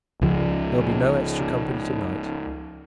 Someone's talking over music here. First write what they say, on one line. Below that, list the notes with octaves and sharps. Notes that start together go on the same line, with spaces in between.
There'll be no extra company to-night.
C#2 C#3 F3